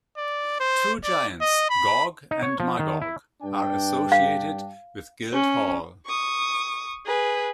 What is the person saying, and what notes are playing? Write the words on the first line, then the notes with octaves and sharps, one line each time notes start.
Two giants, Gog and Magog, are associated with Guildhall.
D5
C5
D5
D#5
B5
D#4
C#5
F3
D#3
E4
G2 D4 G5
F5
C#4
C#6 D#6
G#4 B4